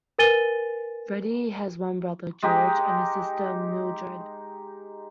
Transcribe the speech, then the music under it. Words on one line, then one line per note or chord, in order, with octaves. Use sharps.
Freddie has one brother, George, and a sister, Mildred.
A#4 B4 G#5 A6 D#7 G7
G#3 D#4 G4